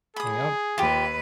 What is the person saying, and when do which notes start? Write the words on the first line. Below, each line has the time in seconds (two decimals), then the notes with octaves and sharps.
And, yep.
0.16 G#4 B5 D#6
0.78 D#2 F4 G4 B4